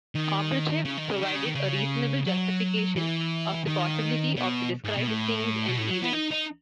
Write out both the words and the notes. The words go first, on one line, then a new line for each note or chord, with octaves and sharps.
Obruchev provided a reasonable justification of the possibility of the described things and events.
D#3
C#3
D#3
C#3
D#3
C#3
D#3
C#3
F#3
E3
D#3
B2
G#2
B2
A2
B2
A2
F#3
B3
D#4
D#4